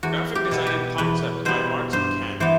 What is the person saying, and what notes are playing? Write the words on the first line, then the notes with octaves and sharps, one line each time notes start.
Graphic design and concept by Martin Kann.
E2 F#4
G4
B2 G3 B3
G4
E2 B4
B2 G3 B3 C5
G2 C5
E3 B3 C5